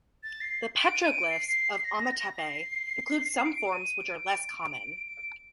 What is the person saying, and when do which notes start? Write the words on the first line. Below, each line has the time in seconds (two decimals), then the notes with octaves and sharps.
The petroglyphs of Ometepe include some forms which are less common.
0.23 A6
0.41 C7
0.76 D7
0.95 D#7
1.12 D7
1.30 C7
1.85 A#6
2.39 C7
3.46 D7
3.73 D#7
3.99 D7
5.07 D7